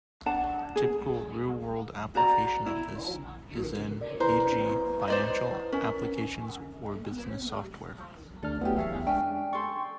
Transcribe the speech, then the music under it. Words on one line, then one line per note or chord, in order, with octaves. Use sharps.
Typical real-world application of this is in, e.g., financial applications or business software.
D4 F#5 A5
G#4
F#4 C5 D5 A#5
E4
A#4 D5
E4 B4 C5 A#5
C5 D5 D#5
C#4 A#4 G#5
D2 D4 A4 F6
F#3 A3 B3 E4 G4
E2 G#4 C#5 E5 F5
G#3 C#4 D4 G5 G#5
A4 D5 G5 C6 C#6